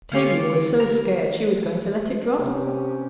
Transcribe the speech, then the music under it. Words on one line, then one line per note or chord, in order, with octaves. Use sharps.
"Tavia was so scared she was going to let it drop."
D3 A3 C#4 F4 G4 D6
A#4
C3 C#4 G4